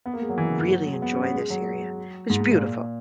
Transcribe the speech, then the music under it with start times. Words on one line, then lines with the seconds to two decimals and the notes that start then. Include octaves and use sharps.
really enjoy this area. It's beautiful.
0.06 B3
0.14 A#3
0.22 G#3
0.29 F#3
0.38 E3
0.49 C#3
0.59 E3
0.70 F#3
0.86 G#3
1.02 B3
1.12 C#4
1.23 B3
1.34 G#3
1.50 F#3
2.30 G#2
2.40 G#2
2.52 A#2